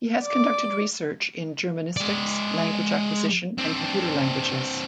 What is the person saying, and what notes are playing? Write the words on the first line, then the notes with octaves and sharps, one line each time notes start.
He has conducted research in germanistics, language acquisition, and computer languages.
D5 D6
G#3 D5
C4 D4